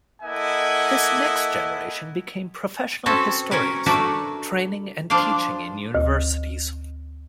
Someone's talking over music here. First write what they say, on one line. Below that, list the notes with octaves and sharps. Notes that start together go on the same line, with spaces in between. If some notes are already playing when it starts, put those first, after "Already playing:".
This next generation became professional historians, training and teaching in universities.
A#3 E4 A4 D#5 F#5 G#5
C4 C#4 F#4 A4 B4
C#4 F#4 A#4 B4
A3 D4 E4 F#4 A#4 B4
F3 D4 D5 F5
D2